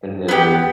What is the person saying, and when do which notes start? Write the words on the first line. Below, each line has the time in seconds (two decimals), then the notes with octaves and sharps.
And then
0.28 B3 D4 G4